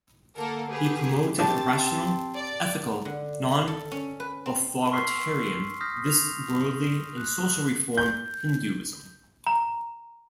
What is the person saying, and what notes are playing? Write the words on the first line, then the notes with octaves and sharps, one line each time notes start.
He promoted a rational, ethical, non-authoritarian, this-worldly, and social-reform Hinduism.
D3 A#3 A4 A#4
G4 G#4 B4
A#1 C4 D4 G4 A5 A6
D5
D3
A4
C#4
B4
C4
C6 C#6 E6 F6 B6 C7
D#6 F6 G6 A#6 B6
F6 F7
F#6
G6
A#5